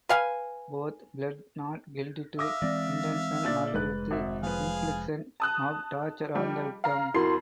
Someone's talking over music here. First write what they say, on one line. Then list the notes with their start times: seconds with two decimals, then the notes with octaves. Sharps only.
Both pled not guilty to intentional murder with infliction of torture on the victim.
0.09 B4 F5 G#5
2.39 E5 F5 D6 D#6 A#6
2.62 E3 G#3 C4 D5
3.44 A#2 D4 A6
3.74 F1 G#2 G#3 B4 F#6
4.11 G#1 E5
4.43 F3 G#4 B4 F5 G#5
5.40 A5 D#6 F#6
6.35 F3 G3 D#4
6.84 F5 A#5
7.14 F2 E4 F#4 A#4 C6 C7